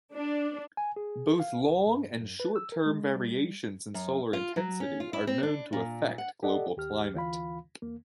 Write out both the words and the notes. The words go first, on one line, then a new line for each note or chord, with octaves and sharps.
Both long- and short-term variations in solar intensity are known to affect global climate.
D4
G#5
G#4
F5
C2
G2
F#2
B4
E6
A#4
G#3
G3
F#2
F4
F#3
C#4
F4
E4
C4
D4
A#2
F#5
G4 A4 D5 D#5 F#5
D#2 G4 F6
D2 E3 F4 F5 B5
E2 A#3